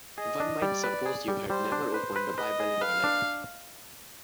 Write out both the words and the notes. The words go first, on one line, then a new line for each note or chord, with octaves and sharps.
One might suppose you had never opened a Bible in your life.
G#4 D#5
D4
G3 D5
B4
G#4
G3
G3 C5
D4
B4 C5
B4
B4 D#5
G#4
B4 F5
D4